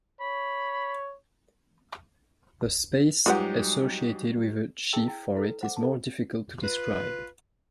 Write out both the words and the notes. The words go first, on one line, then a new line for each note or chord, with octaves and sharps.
The space associated with a sheaf, for it, is more difficult to describe.
C#5 B5
G#2 F#3 G3 D#4 F4 G4 B4 F#5
E4 G#4 E5 G5 A5 E6
E4 G5
E4 A4 B4
C5 F#5 D6
A4 A5
F4 B4